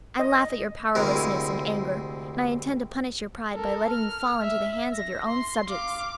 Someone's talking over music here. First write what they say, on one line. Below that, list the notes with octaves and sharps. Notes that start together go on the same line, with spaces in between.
"I laugh at your powerlessness and anger, and I intend to punish your pride by letting you fall into the hands of your own subjects."
D#5
D2 C3 G#3 E4 A#4
A4 A#4
F6
E5
A#6
C6
F5 D6